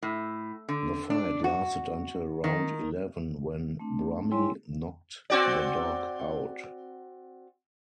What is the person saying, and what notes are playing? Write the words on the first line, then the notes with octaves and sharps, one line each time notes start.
The fight lasted until round eleven when Brummy knocked the dog out.
A2
D3
D4
F#4
D#3
A3 C4 D4
G3 E4 C#5 G#5 C6
C4 F#4 D5